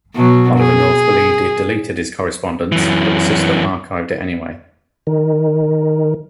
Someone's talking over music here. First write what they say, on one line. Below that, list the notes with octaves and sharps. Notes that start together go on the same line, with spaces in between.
Oliver North believed he had deleted his correspondence, but the system archived it anyway.
B2 F#3
G#4
F#2 E3
D#3